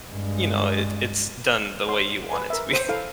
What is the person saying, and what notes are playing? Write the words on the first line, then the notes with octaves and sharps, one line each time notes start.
you know, it it's done the way you want it to be.
G2 G#3
C#5 C6
B4 G#5
A#4 E5
C5
E4 A4 F5